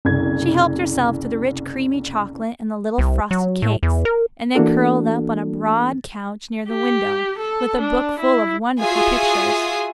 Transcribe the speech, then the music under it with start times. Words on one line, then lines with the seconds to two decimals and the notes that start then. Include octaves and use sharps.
She helped herself to the rich creamy chocolate and the little frosted cakes, and then curled up on a broad couch near the window with a book full of wonderful pictures.
0.05 F#1 C2 G#6
2.98 C2
3.31 F#3
3.62 A2
3.83 E2
4.05 A#4
4.55 E3 A#3 D4 F#4 A4
6.69 G4
7.39 A4
7.80 D4
8.19 E4
8.79 F4 F#4 G#4 E5 G#5 D#6